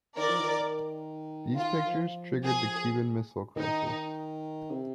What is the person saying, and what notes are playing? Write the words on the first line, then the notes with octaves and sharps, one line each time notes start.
These pictures triggered the Cuban Missile Crisis.
D#3 A#4 D5
F3
D#3
F4
F3
G#4
D#3 D#4
C3